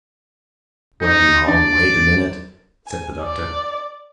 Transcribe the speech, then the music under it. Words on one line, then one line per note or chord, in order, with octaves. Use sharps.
"Well now--wait a minute," said the Doctor.
D#4
D4 D5
G#5
D5